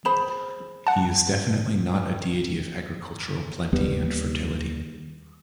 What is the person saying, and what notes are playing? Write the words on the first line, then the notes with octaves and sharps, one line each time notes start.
He is definitely not a deity of agricultural plenty and fertility.
G#4 C5 B5 E7
F#5 A5
D#2 G3 B3